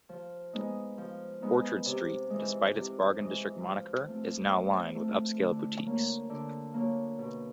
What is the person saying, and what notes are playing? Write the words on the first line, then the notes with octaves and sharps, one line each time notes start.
Orchard Street, despite its "Bargain District" moniker, is now lined with upscale boutiques.
F3
G#3 B3 D#4
F3
G#3 B3 D#4
C3
E3 G#3
C3
E3 G#3
F3
A3 C4 F4
F3
A3 C4 F4
D3
F#3 A#3
D3
F#3 A#3
B2